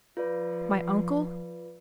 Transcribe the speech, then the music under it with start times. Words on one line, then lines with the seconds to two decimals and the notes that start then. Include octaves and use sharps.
My uncle?
0.17 F3 F4 B4 D5